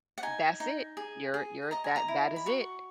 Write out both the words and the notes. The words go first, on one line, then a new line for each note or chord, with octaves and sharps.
That's it. You're you're that that is it.
F#5
D#4 G#5
D#4
G#4
G#4
D#5 A#5
G#5
A#5
E4
B5
F#4 C#6